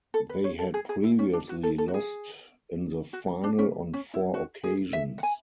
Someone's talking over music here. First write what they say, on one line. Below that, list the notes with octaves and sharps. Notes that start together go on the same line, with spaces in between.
They had previously lost in the final on four occasions.
A4
B4
C#5
A4
G#4
G#4
E4
C#4
D4
F#4
A4
A4
F#4
G#4
F#4
D4
C#4
C#4
E4
F#4
G#4
E5
F#5
G#5